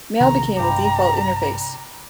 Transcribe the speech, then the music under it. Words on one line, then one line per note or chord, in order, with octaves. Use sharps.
Mail became the default interface.
A#1 C3 D#3 A#5
A#1 G2 D5 G5 A#5 B5